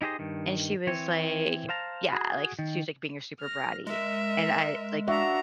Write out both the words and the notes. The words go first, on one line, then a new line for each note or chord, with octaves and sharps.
And she was, like yeah, like, she was, like, being a super bratty and I like
D#4 E4 G4 G#4 C5 D#5
G2 D#3
E3 C4 C#5
C5 F5 A5 A#5
F#4 G#4
D#3
F6 A#6
G#3 A#4 E5
D4 F#4 E5 A#5